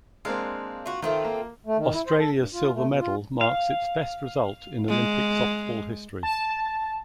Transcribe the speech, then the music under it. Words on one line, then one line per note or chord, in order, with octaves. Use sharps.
Australia's silver medal marks its best result in Olympic softball history.
G#3 A#3 C4 D4 F5
F4 F#4
D#3 A3 C4 F4
A#3
A3
D#3
E4
C5
A4
G2
F4
A3
B2
F4
F5
G#3
A5